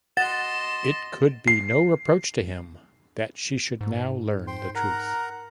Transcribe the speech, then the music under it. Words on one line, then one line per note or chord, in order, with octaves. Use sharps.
It could be no reproach to him that she should now learn the truth.
D#5 F#5 C6 A6 E7
C7
G#2
C5 G5 C6
A#4 F#5 A#5